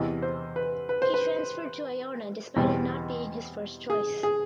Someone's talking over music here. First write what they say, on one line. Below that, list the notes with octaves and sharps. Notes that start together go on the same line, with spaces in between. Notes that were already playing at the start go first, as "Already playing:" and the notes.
He transferred to Iona despite it not being his first choice.
Already playing: E2 C3 E3 D#5
C5
B4
B4
C5
B4
E2 B2 G3 C4
G#4
G#4